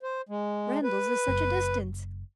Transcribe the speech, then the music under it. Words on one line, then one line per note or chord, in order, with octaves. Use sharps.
Randalls is such a distance.
C5
G#3
B4
F#1